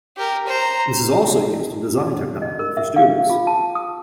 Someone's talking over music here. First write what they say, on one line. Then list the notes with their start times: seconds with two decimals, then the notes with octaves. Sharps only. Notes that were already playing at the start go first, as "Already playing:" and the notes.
This is also used in design technology for students.
0.17 G4 A#4
0.46 C5 A#5
2.42 D#5
2.59 A#4
2.77 E5
2.96 F5
3.30 F4
3.47 A5
3.75 D#6